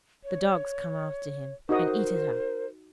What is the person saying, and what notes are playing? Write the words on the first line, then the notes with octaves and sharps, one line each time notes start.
The dogs come after him, and eat it up.
C#5
D#4 F#4 A#4 C5 D#5